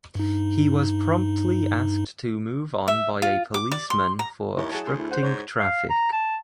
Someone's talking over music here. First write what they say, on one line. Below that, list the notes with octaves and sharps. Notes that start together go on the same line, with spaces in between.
He was promptly asked to move on by a policeman for obstructing traffic.
G2 D#4
E5
F4
D6
D5
C6
A#5
D#2 E4 C#5
F#3 G#4 A5
D2 G#4 C6
E4
C5 F#5
G#2 C#5
F5
A#5
A5